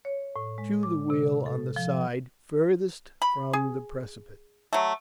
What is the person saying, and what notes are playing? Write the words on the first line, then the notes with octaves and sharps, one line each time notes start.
Shoe the wheel on the side furthest from the precipice.
C#5
A2
G#3
D6
C3
A4
F3
B5
G#4
F#3 A3